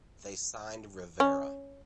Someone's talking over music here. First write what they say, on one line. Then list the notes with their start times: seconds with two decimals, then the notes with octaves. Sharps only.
They signed Rivera.
1.20 C#4